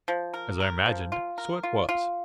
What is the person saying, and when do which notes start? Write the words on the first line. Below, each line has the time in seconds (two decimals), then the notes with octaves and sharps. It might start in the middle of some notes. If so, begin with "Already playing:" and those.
As I imagined, so it was.
0.08 F3
0.34 A#4
0.60 A#4
0.86 F3
1.12 F4
1.38 A#4
1.63 F4
1.89 F4